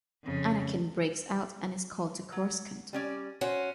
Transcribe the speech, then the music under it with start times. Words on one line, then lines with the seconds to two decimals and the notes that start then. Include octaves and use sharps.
Anakin breaks out, and is called to Coruscant.
0.23 F2 C#3
2.32 F#3
2.93 G3 C#4 D5
3.41 C#4 F#4 C5